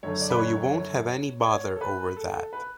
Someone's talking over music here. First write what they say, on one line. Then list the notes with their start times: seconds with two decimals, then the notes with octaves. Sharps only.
So you won’t have any bother over that.
0.03 F#2 D3 A3 C#5
0.21 D5
0.30 B4
0.38 C#5
0.57 C#5
0.74 C#5
1.40 D5
1.46 C#5
1.76 A4
1.81 B4
2.16 A4
2.34 A4
2.53 B4